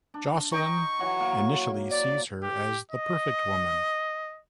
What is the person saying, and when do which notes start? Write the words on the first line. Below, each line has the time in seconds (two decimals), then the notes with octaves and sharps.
Jocelin initially sees her as the perfect woman.
0.14 D4
0.52 D#5 G5 A#5 C#6
0.99 E3 F#3 F#4
1.20 A#3
1.91 D5
2.43 G4
2.91 D#5